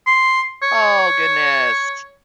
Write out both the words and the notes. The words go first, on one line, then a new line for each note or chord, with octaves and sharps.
Oh, goodness!
C6
C#5